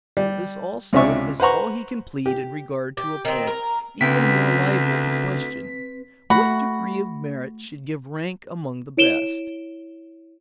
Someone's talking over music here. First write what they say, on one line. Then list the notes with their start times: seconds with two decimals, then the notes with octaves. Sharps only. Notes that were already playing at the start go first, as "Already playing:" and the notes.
This also is all he can plead in regard to a point even more liable to question;--what degree of merit should give rank among the Best.
0.17 G3
0.93 C#2 C3 C#4 D4 E5 C#6
1.40 B4 C5 F#5 A#5 C#6
2.26 G4
2.97 G4
3.25 D#3 C4
3.47 A#4
4.01 D2 C#3 C4 B4 E5 G5 B6
6.30 A3 F#4 B5
8.97 E4 C#5 D7 E7 G7